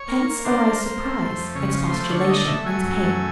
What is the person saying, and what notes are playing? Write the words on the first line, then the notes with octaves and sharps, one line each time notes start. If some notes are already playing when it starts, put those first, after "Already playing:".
Hence arise surprise, expostulation and pain.
Already playing: C#5
A#3
A#3
D4 C5
A#3
A#3
A3
A3
F2
C#3 C#5
F3
C5
A3
C5
D3 C#5
A3 D#5
D#5
A3 E5
F#3 G#5
F#2
A3